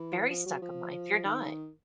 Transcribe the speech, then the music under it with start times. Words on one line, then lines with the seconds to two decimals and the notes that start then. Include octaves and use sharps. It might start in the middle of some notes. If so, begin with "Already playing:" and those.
very stuck in life. You're not.
Already playing: E3
0.30 F3
0.46 F#3
0.62 F3
1.25 D#3